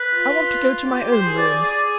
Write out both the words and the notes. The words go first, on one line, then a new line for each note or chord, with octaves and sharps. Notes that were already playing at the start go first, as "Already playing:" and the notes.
"I want to go to my own room."
Already playing: B4
F4
G4
C5
G#4
D5
G#4 D5